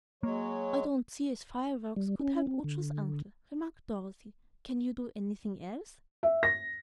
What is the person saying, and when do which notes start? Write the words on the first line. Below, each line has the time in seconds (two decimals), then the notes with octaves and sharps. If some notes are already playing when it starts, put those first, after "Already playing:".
"I don't see as fireworks could help Ojo's uncle," remarked Dorothy. "Can you do anything else?"
0.23 F#3 G#3 A#3 C#5
1.96 G3
2.19 C#4
2.47 C4
2.64 D3
6.23 E5
6.43 A#6